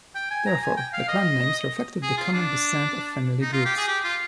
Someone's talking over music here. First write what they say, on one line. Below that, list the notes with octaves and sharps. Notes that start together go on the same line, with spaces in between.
Therefore, the clan names reflected the common descent of family groups.
G5
G#5
A#5
G#5
G5
F5
D#5
G#4
F4
D4
D#4
F4
G4
G#4
G4
F4